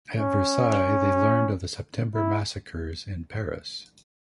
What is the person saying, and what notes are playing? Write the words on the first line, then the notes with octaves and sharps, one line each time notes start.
At Versailles, they learned of the September Massacres in Paris.
C#4
E4